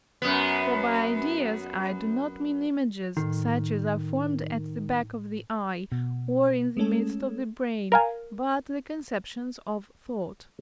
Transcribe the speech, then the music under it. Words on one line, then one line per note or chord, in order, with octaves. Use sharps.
For by ideas I do not mean images such as are formed at the back of the eye, or in the midst of the brain, but the conceptions of thought.
F#2 B3
A2 D#3
B2
G#3 A3 C#4 A4
A#4 F5 G#5